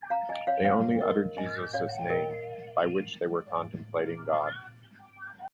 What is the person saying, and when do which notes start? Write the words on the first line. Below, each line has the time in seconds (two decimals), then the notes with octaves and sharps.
They only uttered Jesus' name by which they were contemplating God.
0.10 F5 A#5
0.29 D#5 G#5
0.47 C#5 F5
0.65 C#5 F5
1.01 A#4 D#5
1.37 D#5 G#5
1.73 C#5 F5
2.10 A#4 D#5